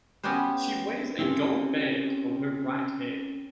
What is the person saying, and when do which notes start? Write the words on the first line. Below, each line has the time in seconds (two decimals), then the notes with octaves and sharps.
She wears a gold band on her right hand.
0.23 B3 C#4 F#4 G4 B4 C5
1.19 C4 C#4 E4 G4 C5 C#5